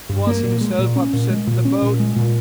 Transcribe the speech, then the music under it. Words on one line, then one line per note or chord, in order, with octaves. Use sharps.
'Twas himself upset the boat.
G2
A#3
A#2
G#3
A#2
C#4
A#2
G#3
A#2
C#4
A#2
G#3
A#2